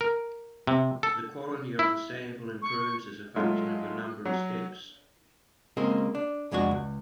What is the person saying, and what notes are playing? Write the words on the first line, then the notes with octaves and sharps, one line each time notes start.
The quality of the sample improves as a function of the number of steps.
A#4
C3
A4
E4
C#6
F#3 G#3 A3 F4
F#3
C#3 G#3 A#3 C4 G#4
D4
C2 F2 G#3 D4 F#4
C#2